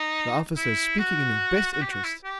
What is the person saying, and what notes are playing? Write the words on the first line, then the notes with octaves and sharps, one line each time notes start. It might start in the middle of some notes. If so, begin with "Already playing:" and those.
'The officer is speaking in your best interests.
Already playing: D#4
E4
F#4
F#4
G4
F#4
E4
G4